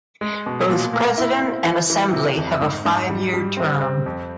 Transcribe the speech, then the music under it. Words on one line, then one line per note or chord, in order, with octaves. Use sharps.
Both president and Assembly have a five-year term.
G#3
B2
A#2
A#3
E4
C4
E3
E3
C3
F2
G#2
G#2
G3
G3
C4
C4
F2